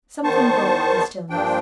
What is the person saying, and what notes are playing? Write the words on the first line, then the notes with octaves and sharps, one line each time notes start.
Something broke the stillness.
E2 D#3 B3 C5 A5 C#6
G2 A#2 F3 D4 G5